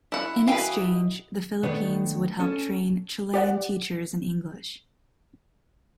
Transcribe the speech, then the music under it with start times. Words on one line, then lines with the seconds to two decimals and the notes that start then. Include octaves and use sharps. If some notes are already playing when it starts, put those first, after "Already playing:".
In exchange, the Philippines would help train Chilean teachers in English.
0.12 E4 F#5
0.47 E3 E4 F#4 B4 D#5 F5 G5 G#5
1.63 D#3 A3 B3 D4 B4 C#5
2.40 C#4 A4
3.34 G4 D5 F#5